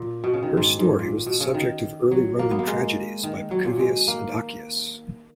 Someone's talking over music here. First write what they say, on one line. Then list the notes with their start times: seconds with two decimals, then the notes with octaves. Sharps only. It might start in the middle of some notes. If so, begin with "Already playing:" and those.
Her story was the subject of early Roman tragedies by Pacuvius and Accius.
Already playing: A#2
0.24 B2
0.34 C#3
0.43 D#3
0.57 G#2
0.79 G#2
0.99 A#2
1.27 B2
1.40 C#3
1.55 D#3
2.11 F#3
2.39 A#3
2.51 B3
2.59 A#3
2.67 G#3
3.24 D#3
3.51 F#3
3.65 A#2
3.79 G#3
4.08 A#3